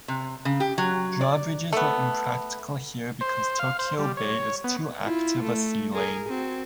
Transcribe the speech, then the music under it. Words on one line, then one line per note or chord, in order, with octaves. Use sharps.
Drawbridges were impractical here because Tokyo Bay is too active a sea lane.
C3
C#3
G4
F#3
D5
A3 B3
C5
F5
C5
G3
C#5
B3
E4 F4
A3
G#4 A#4
C4 F#4